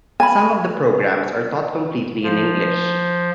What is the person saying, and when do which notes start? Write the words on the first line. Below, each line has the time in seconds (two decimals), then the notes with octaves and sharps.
Some of the programmes are taught completely in English.
0.20 G#5 B5
2.23 F3